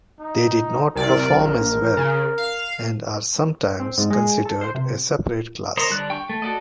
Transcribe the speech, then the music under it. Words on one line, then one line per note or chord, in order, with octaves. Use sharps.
They did not perform as well, and are sometimes considered a separate class.
D#4
C2 C3 A#4 D5
A#1
C#3
F5
C4
G#2
G#3
A4
C5
C3
A#4 C5 C#5 D#5
D3 G3 D4 F#6
G5 C#6
A3
F#4 A4 D5 D#5